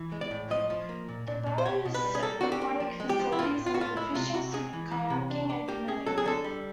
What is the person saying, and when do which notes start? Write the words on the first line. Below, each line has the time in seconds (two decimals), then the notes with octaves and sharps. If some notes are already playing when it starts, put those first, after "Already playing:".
The Barrow's aquatic facilities include fishing, swimming, kayaking and canoeing.
Already playing: E3
0.12 G#3
0.21 D5
0.31 A2
0.50 F3 D#5
0.70 F3
0.89 A#3
1.08 A#2
1.28 A#2
1.47 A#2
1.58 C5
1.65 B2 C#5
1.85 B2
1.95 B4
2.05 G3
2.15 G#4
2.23 A#3 A4
2.41 D4 F#4
2.52 G4
2.62 A#3
2.80 F3
3.00 G#3
3.09 G4
3.19 F3
3.32 E4
3.39 A2 F4
3.58 A2
3.66 F4
3.74 A2 F#4
3.81 F4
3.96 G#3 E4
4.15 C3 F4
4.34 C3 F#4
4.53 G#3 G#4
4.73 E3
4.91 E3
5.10 C3
5.30 D4
5.50 D4
5.68 A#3 G4
5.88 C#4 G#4
6.06 F#3 A4
6.18 G#4
6.26 D3 A4
6.44 G3